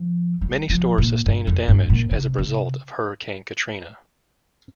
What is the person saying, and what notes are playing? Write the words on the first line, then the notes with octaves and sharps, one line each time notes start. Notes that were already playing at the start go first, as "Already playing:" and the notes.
Many stores sustained damage as a result of Hurricane Katrina.
Already playing: F3
G3
F3
A#2
G2
F2
G2
A#2
C3
C3